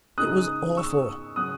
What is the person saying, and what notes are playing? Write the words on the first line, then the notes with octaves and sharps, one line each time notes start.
It was awful.
C#3 G#3 D#4 D#6 F#6
C#6 E6
C#3 F#3 C#4 D#6 F#6